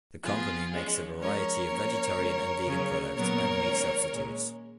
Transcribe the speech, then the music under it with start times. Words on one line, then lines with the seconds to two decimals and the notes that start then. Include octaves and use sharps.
The company makes a variety of vegetarian and vegan products and meat substitutes.
0.24 F3 B3 F4 G#4
0.72 F3 G#3 C#4
1.21 F3 G#3 C#4 A#4 C#5
1.70 F3 A#3 C#4
2.18 C#3 G#3 C#4
2.66 C#3 F#3 C#4
3.15 A#2 F#3 B3 A#4 C#5
3.64 D#3 G#3 C#4
4.12 A#2 G#3 C#4